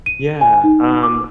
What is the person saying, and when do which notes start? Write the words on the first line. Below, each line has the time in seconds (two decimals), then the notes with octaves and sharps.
Yeah, um
0.06 D#7
0.41 G#5
0.64 D#4
1.03 D6